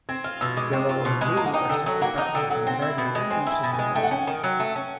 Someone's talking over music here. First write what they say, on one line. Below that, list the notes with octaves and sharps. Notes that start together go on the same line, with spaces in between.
Yellow and Blue are Sister Classes and Red and Green are Sister Classes.
C4 G#6
F4 F6
B2 E6
G#3 D6
C4 C#6
F4 C#6
B2 C6
G#3 B5
A#3 A5
F#5
D#4 G5
D3 G5
F#3 G5
A#3 F#5
D#4
D3 G5
F#3 F#5
C4 G5
E4
B2
G#3
C4 G#5
E4
G#5
B2
G#5
G#3
A3 G5
F#5
C#4 G5
D#3
F#3
A3
C#4